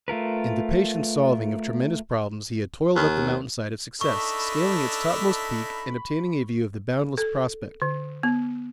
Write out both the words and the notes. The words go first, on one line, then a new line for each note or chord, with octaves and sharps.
In the patient solving of tremendous problems he had toiled up the mountain-side of success--scaling its topmost peak and obtaining a view of the boundless prospect.
A3 F4 A#4 B4
D#2
D4 D#4 A4 E5 B5 C#6
A4
D3
B3